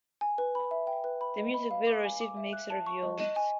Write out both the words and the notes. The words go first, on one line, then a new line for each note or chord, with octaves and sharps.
The music video received mixed reviews.
G#5
B4
B5
E5
G5
B4
B5
D#5
B5
F5
D6
G#5
D6
E5
F#6
A5
C#6
D#5
D#5
G#5